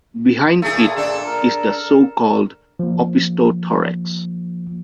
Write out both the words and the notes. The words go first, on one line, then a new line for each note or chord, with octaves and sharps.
Behind it is the so-called opistothorax.
A#2 A3 G#4
D4 A4
A#4
F3 A#3